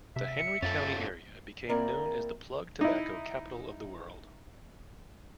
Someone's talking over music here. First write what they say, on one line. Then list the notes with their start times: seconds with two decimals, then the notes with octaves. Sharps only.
The Henry County area became known as the plug tobacco capital of the world.
0.16 C3 E5
0.37 C#7
0.62 F#2 C#4 F4 A4 A6
1.69 A#3 C4 E4 A#4 D5 A#5
2.81 D#4 E4